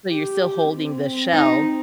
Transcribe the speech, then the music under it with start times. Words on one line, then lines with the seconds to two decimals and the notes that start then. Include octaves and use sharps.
So, you're still holding the shell,
0.09 G4
0.72 C4
1.33 D#4